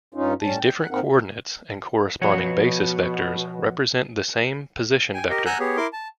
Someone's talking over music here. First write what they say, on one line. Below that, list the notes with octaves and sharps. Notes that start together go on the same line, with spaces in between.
These different coordinates and corresponding basis vectors represent the same position vector.
G2 C#4 D#4 F4
A2 G3 C#4 A5
G5
F#5
A2 A#3 C4 D#4 A#4 F#5
B2 F3 F#4 C#5
G5 G#5
G4 A#4 D#5
F#5 G#5 A#5 E6 F#6 G6
B3 G4 G#4 C#5
E4 A#4 C6 D6
A5